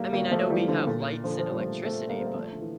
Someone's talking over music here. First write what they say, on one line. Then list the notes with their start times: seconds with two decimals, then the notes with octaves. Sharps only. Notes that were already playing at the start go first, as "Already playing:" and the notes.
I mean, I know we have lights and electricity, but
Already playing: G3 A3 A#3
0.13 G3 A#3
0.31 F3 A3
0.50 E3 G3
0.68 D3 F3
0.87 A#2 D3
1.24 D3 F3
1.38 F3
1.49 G3
1.60 F3 A3
1.85 A3 C4
2.09 G3 A#3
2.20 C4
2.27 A#3
2.34 F3 A3
2.52 D3
2.62 E3